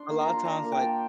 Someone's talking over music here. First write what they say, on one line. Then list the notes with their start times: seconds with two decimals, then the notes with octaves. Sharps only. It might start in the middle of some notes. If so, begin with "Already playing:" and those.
a lotta times, like,
Already playing: D4 C6
0.09 A#3
0.21 A#5
0.27 F4
0.33 C6
0.45 D4 A#5
0.63 A#3
0.72 G5
0.81 A#3 A5